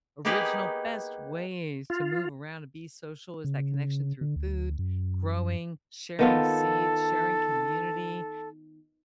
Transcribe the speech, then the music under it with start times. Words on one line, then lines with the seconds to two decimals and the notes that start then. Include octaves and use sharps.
original best ways to move around and be social is that connection through food, growing, sharing seeds, sharing community,
0.25 A#3 B3 D#4 G4 G#4 B4
1.90 F4
3.44 C#3
4.21 D3
4.36 D2
4.79 F#2
6.19 D#3 B3 F4 A4